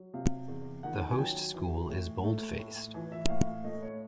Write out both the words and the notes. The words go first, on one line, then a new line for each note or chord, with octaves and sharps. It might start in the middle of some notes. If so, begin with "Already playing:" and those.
The host school is boldfaced.
Already playing: F#3
C3 F5
E2
D#3 F#5
G#5
F#3 G5
E3
A2
A3
A2
E3 G#5
E5
A2 F5
F5
A3 D#5
C#5